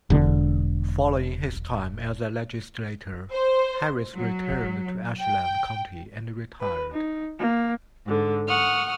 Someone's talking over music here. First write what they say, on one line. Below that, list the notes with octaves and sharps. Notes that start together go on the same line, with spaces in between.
Following his time as a legislator, Harris returned to Ashland County and retired.
E1 D3
C5
F#3
G5
B4
D#4
A#3
G#2 D3
F#5 C#6 D#6 F6